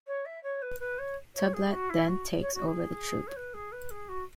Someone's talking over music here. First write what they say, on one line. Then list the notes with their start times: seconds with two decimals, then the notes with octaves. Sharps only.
Tublat then takes over the troop.
0.07 C#5
0.25 E5
0.43 C#5
0.62 B4
0.79 B4
0.98 C#5
1.34 C#5
1.53 G#4
1.71 F#4
1.89 E4
2.07 F#4
2.40 C#5
2.54 F#4
2.67 G#4
3.27 C#5
3.36 B4
3.53 G#4
3.72 B4
3.90 G#4
4.08 F#4